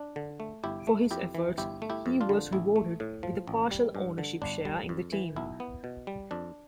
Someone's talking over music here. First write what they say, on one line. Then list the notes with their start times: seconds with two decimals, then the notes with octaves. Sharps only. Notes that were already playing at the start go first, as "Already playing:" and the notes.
For his efforts, he was rewarded with a partial ownership share in the team.
Already playing: D4
0.16 D3
0.40 A3
0.64 G1 E4 G4
0.87 A3
1.11 F2 E4 G4
1.35 E3
1.58 G1 E4 G4
1.82 A3
1.90 E4 G4
2.06 F2
2.21 D4 F4
2.29 D3
2.52 A1 E4
2.76 A3
3.00 A2
3.23 F3
3.48 A1
3.71 G3
3.95 G2
4.18 D3
4.42 G1 D4
4.65 G3
4.89 F2
5.13 E3
5.36 B1 E4
5.60 B3
5.84 B2
6.07 G3
6.31 F2 D4